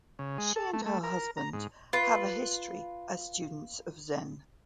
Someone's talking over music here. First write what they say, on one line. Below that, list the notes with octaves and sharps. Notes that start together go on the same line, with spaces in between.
She and her husband have a history as students of Zen.
C#3
G#3
A4
A3
A3
A#4
A#5
G#2
F4 B4